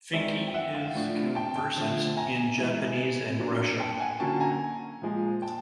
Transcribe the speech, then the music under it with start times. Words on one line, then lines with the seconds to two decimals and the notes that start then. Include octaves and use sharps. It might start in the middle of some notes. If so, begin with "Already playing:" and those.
Fincke is conversant in Japanese and Russian.
0.13 D#3 G#3 C4 D5 E5
0.47 G5
0.54 E5 F#5
0.75 F5 G5
0.95 A2 F3 A3 D4
1.35 G5 A5
1.56 G5 A5
1.76 D3 F3 A3
2.17 G#5 A#5
2.58 E3 G#3 B3
3.39 A#2 F#3 B3 D4
3.80 G5 A5
4.00 F#5 G#5
4.20 D3 F#3 A#3 C#4 G5 A5
4.40 G#5 A#5
5.02 A#2 F3 G#3
5.42 G5 A5